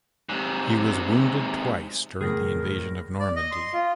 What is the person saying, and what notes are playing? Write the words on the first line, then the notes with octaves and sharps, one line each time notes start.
He was wounded twice during the Invasion of Normandy.
G#2 C3
E2 A2 C#3 G#4 A#4
D5
D#5
C6
F4